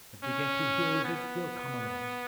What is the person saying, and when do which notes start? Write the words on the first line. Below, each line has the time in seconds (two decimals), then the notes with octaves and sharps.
If they get to hear of it they'll come along.
0.24 C#4
1.05 B3